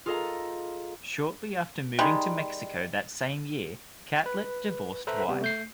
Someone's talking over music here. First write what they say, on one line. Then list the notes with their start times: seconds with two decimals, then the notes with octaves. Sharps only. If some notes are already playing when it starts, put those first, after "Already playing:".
Shortly after moving to Mexico that same year, Catlett divorced White.
0.06 F4 G#4 A4 D#5 F5 A#5
1.99 D#3 G3 G#3
4.26 B4
5.07 A4 B4 C5 E5 A#5 B5
5.28 C3 G3 B3
5.42 A3 G6 C7